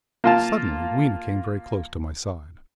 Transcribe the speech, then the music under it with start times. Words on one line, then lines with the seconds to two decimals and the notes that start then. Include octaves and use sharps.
'Suddenly Weena came very close to my side.
0.24 A#3 F4 A5